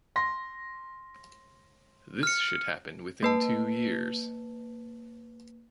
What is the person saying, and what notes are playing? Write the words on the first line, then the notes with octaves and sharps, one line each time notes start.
This should happen within two years.
C6 A#6
F6 C#7
A#3 B4 A5